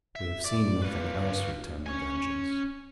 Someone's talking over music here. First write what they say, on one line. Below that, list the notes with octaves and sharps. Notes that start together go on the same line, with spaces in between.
"We have seen nothing else," returned The Vengeance.
E5
D5
F4 B4
C#4 G#5